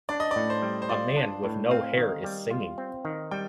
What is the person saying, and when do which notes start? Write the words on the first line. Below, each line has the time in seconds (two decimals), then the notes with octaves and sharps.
A man with no hair is singing.
0.09 D4 D5
0.20 D#5
0.31 D5
0.36 A2
0.50 C5
0.62 G3
0.82 C5
0.89 F4 D5
1.17 D4
1.44 A2
1.71 C4 F5
1.97 D#3
2.24 G3
2.51 F4
2.78 C4
3.05 D#3
3.31 G3 G5